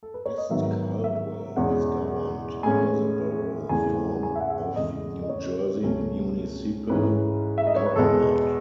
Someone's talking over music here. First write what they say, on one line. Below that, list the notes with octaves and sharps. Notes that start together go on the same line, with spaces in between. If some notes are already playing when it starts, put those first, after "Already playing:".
West Caldwell is governed under the Borough form of New Jersey municipal government.
A4
B4
C#5
D#5
G#2 D#3 F#3 B3 E5
E5
E2 B2 G#3 C#4 F#5
A2 G#3 C#4 G#5
E2 C#3 E3 A3 G#5
G#5
E5
F#5
E5
F#5
E2 C#3 G#3 D#5
D#5
C#5
C#2 B2 A3 C#4
G#2 E3 G#3 C#4 B4
E5
D#5
C#5
B4
E2 B2 G#3 B3 A4